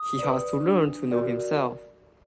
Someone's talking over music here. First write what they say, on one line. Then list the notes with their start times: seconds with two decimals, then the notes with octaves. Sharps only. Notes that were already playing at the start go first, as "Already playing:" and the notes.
He has to learn to know himself.
Already playing: D#6
0.19 B4 D5
0.65 D4
1.11 F#4 A#4 D5